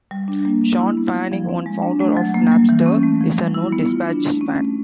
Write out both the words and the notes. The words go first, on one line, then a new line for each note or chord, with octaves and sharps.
Shawn Fanning, one founder of Napster, is a known Dispatch fan.
G3
D4
A#3
G3
E4
B3
F#3
F3
C4
G#3
D4
A3
F#3
A#3
G3
E3
C#4
A3
F3
G3
E4
B3
F4
D4
A3
C#4
A3